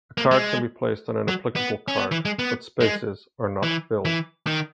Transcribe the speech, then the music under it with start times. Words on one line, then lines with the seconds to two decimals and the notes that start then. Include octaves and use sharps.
A card can be placed on an applicable card, but spaces are not filled.
0.18 A#3
0.31 G#3
1.28 F#3
1.56 B3
1.88 C#4
1.98 B3
2.11 E3
2.25 G#3
2.39 B3
2.81 G#3
3.63 E3
4.05 E3
4.47 D#3